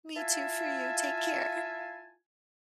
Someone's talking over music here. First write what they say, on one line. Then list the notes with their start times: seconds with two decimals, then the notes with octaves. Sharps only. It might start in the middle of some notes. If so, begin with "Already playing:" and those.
Me, too, for you. Take care.
0.17 E4 F4 E5 F5 G#5 A5